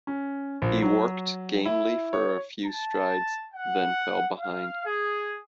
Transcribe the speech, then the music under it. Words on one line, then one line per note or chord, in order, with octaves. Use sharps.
He worked gamely for a few strides, then fell behind.
C#4
A#1
F#3
E4
C#5
A5
F#5
F5
G#4